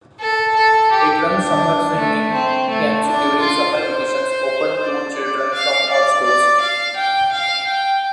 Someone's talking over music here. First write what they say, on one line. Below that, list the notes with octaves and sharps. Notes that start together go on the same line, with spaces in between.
It runs summer swimming camps during summer vacations, open to children from all schools.
A4
A4
G4
D4
A3
C4
A3
D4
F4
C5
D5
F5
D5
D5
F5
G5
F5
G5